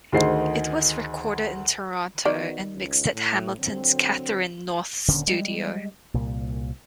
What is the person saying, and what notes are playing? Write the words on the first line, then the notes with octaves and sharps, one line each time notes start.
It was recorded in Toronto and mixed at Hamilton's Catherine North Studio.
D2 D#3 D#4 G#4 C5 C7
D#3 B3 F#4 D5
C#2
A2
D3 F#3 C4
D#1 D3 C#4
G3 G#3
C2 A#2